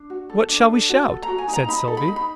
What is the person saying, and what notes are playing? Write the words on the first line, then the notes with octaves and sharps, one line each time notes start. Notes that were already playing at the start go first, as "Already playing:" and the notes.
"What shall we shout?" said Sylvie.
Already playing: D4
F#4
A4
D4
A4
F#4
A4
A#5
F#4
G#5
D#4
A#5
D#4 B5
A4
B5
D#4
B5